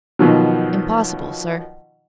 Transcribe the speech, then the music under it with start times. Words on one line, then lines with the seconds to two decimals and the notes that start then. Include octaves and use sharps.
"Impossible, sir."
0.19 B2 D#3 F3 F#3